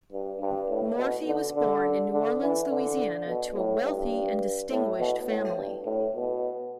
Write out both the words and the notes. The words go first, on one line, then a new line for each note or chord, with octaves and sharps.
Morphy was born in New Orleans, Louisiana, to a wealthy and distinguished family.
G2
G2
A2
B2
D3
D3
D3
E3
D3
B2
A2
G2
A2
B2
A2
G2
A2
B2